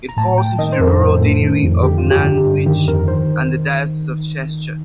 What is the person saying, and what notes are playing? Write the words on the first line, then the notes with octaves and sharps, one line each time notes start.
It falls into the rural deanery of Nantwich and the diocese of Chester.
A#5
A2 A5
A2 G5
D#3 D#5
C5
F2 A#4
A4
A2
A2
D#3
F2
D3 G4
F4
G2
G4
D3
G2
D#3 G4
F2 A#4
D#3 C5